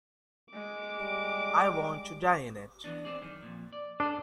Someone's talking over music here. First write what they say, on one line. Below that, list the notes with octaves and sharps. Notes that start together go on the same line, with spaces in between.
I want to die in it.
G#3 D6
G3
E3 B3 D4
C4 G#4 D5
F#2 D#3
F2 A#2
D5
D4 G#4 A4